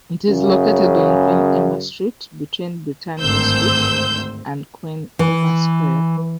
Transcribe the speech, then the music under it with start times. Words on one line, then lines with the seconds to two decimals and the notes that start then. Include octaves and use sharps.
It is located on Queen Emma Street, between Beretania Street and Queen Emma Square.
0.28 F#2 C#3
3.21 G#1 D2 G2 C5 E6 G6
5.19 E3